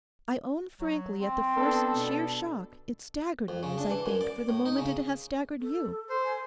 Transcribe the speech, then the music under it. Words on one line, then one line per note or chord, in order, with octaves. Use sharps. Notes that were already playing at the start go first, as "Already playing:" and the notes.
I own frankly at the first sheer shock it staggered me as I think for the moment it has staggered you.
F#3
C4
B3 D4 A4
B2
F2
C#3
D4
E3
F#2
D5
A2
D#4
C#3
A4
C5
G#5